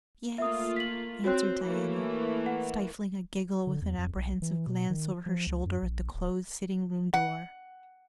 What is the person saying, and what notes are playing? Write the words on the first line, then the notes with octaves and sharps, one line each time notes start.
"Yes," answered Diana, stifling a giggle with an apprehensive glance over her shoulder at the closed sitting-room door.
A3 A#3 F4 E5 D#6
B6 F#7
C4 F#4 C#5 F#6
E3 A3 A#3
F#5
D3
E2
F2
B1
E3
B2
D#3
F3
C#2
F#2
A#1
D1
F#5